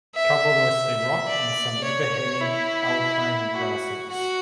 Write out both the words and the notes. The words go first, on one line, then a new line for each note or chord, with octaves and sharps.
Cover mostly rock and some overhanging alpine grasses.
E5
D5
C#5
E4
F#4
F#4